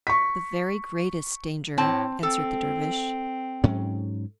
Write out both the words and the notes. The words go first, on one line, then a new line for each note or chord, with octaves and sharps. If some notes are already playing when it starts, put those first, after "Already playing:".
"The very greatest danger," answered the dervish.
C#6 B6
A2 C4 A5
C4 A4
G#2 F#3 C#4